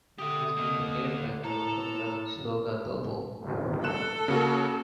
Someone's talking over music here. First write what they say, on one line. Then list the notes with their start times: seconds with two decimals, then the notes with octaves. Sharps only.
It is being played by the local club Sloga Doboj.
0.19 D3 G4 E5 D#6
0.57 A#3 D#4
1.44 A2 A4 A5 A#5
3.84 A4 F#6 E7
4.28 C#3 A#3 F#4